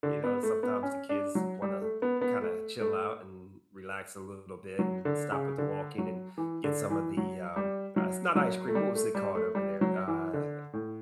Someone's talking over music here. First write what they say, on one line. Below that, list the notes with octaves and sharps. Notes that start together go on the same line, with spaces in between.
you know, sometimes the kids wanna kinda chill out and relax a little bit and stop with the walking and get some of the, um, uh, it's not ice cream, what was it called over there? Uh,
D3
B3
A3
B3
C#4
D4
F#3
G3
A3
B3
B3
A3
A3
F#3
D3
C#3
D3
F#3
E3
D3
E3
F#3
G3
F#3
F#3
A3
G3
A3
G3
A3
G3
F#3
E3
D3
A2